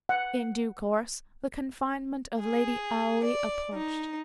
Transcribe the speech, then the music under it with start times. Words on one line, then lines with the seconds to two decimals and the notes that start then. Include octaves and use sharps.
In due course, the confinement of Lady Aoi approached.
0.09 F#5
2.41 G#4
3.23 D5
3.72 D#4